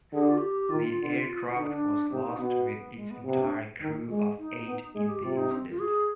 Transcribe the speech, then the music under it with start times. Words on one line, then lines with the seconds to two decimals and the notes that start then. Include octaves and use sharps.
The aircraft was lost with its entire crew of eight in the incident.
0.13 D3 G#4
0.21 G4
0.30 F4
0.38 G4
0.70 D#3 F4
0.98 D3
1.54 D3 D#4
1.69 D4
2.11 C3 D#4
2.26 D#4
2.39 B2 B3
2.96 G#3
3.11 B3
3.25 C3 B3
3.39 D4
3.82 D#3
4.09 G#3
4.38 D#4
4.66 B3
4.94 G#3 G#4
5.09 G4
5.23 C3 F4
5.37 D#4
5.51 C4
5.71 F4
5.79 G#4